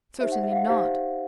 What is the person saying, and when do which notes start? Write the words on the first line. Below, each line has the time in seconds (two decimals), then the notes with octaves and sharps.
Certainly not.
0.20 D#4 G4 C5 E5
0.32 F#5
0.44 E5
0.51 F5
0.56 F#5
0.67 D#4 G4 C5 F5